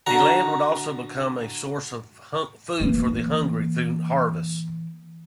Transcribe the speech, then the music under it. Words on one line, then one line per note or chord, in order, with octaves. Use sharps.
The land would also become a source of food for the hungry through harvests.
D3 F#4 A#5
E3 A#3